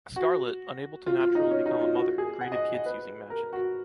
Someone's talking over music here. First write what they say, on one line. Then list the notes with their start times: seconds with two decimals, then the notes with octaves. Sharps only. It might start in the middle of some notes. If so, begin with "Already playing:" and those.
Scarlet, unable to naturally become a mother, created kids using magic.
0.16 F#4
1.06 F4
1.20 F4
1.35 D#4
1.51 C#4
1.66 D#4
1.81 F4
1.96 F#4
2.18 G#4
2.41 F#5
2.52 D#5
2.74 D#5
2.86 B4
3.30 A#4
3.53 F#4